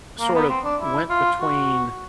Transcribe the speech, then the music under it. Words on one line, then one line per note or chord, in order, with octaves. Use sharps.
sort of went between,
A#3
B3
C4
D4
E4
F4
F#4